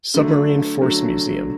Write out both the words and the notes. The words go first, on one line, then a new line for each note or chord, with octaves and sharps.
Submarine Force Museum.
D3 F#3 A3
D3 F#3 A3